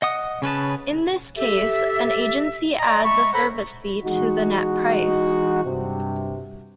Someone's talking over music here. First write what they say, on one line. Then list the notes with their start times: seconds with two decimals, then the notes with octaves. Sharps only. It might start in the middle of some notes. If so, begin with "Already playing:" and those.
In this case, an agency adds a service fee to the net price.
0.02 D#5 F#5 D#6
0.42 C#3 C#4 B4 A5
1.37 G4 A4 E5
2.79 D5 D#5 G#5 A#5
3.04 G#3 E5 A5 B5 C#6
3.33 A4 C5 C#5 F#5 A#5 B5
4.04 E3 G#3 D#4 F#4
5.65 G2 C3